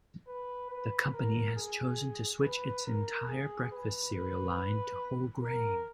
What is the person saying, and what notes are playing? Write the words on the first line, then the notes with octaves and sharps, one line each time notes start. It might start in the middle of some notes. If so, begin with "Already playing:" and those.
The company has chosen to switch its entire breakfast cereal line to whole grain.
B4
B4
A#4
G#4
B4
A#4
G#4
B4
B4
A#4